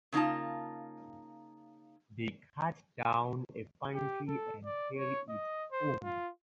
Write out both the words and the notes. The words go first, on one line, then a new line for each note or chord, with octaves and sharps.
They cut down a fine tree and carry it home.
C#3 A#3 D#4 F4 A5
G4
A4
D5
C#5
D#5
C5
F4